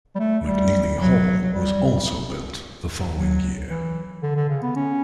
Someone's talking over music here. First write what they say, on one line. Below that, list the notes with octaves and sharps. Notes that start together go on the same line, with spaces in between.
McNeely Hall was also built the following year.
G3
A3
G3
F#3
F#3
G3
F#3
E3
D3
D3
C#3
B3
C#4